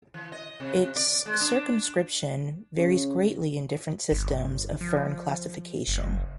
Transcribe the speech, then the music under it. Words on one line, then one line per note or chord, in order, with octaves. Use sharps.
Its circumscription varies greatly in different systems of fern classification.
E3
D#5
C3
D5
G#3
D4
C#3
G1
F3
F#1